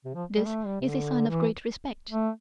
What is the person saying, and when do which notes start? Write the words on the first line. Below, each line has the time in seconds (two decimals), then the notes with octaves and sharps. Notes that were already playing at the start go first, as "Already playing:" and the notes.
This is a sign of great respect.
0.05 C3
0.14 F3
0.36 G3
0.45 A3
0.66 G3
0.81 C3
0.87 D3
1.28 E3
2.11 A3